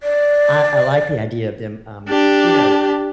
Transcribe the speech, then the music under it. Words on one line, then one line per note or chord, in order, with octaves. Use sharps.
I I like the idea of them, um, you know,
D5
D4 G4